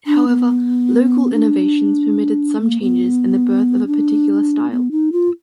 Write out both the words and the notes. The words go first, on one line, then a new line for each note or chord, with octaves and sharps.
However, local innovations permitted some changes and the birth of a particular style.
D4
B3
D4
A#3
B3
D4
B3
D#4
F4